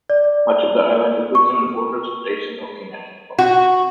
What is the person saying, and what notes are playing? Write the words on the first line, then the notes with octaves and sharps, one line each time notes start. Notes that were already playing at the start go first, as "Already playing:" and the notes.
Much of the island is within the borders of Daisen-Oki National Park.
D5
C#6
F#4